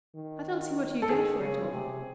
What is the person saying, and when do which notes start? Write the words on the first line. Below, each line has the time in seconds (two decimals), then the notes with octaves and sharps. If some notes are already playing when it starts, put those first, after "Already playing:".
"I don't see what you get for it all."
0.15 D#3
1.02 A4
1.09 D#3 G#4
1.40 C#3
1.72 C3